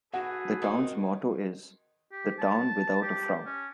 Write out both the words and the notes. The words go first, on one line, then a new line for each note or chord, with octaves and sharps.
The town's motto is "The Town Without A Frown".
F#4 G#4 A4 B4 F#5
D#3 C4
G4
A5
G4
C#4